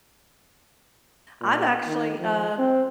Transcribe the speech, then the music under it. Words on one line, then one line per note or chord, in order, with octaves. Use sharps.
I've actually, uh,
A#2
D#3
F3
C4